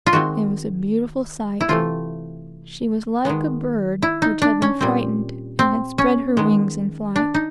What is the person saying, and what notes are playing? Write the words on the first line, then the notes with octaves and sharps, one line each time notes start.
It was a beautiful sight. She was like a bird which had been frightened and had spread her wings in flight.
F4
D#3 G#3 C4 F#4
E4
C3 E3 A3 C4 F4
D#3 G#3 B3
E4
D#4
D4
C#4
A#2 G3 C4
C4
C#4
D#3 G#3 B3
D4
D#4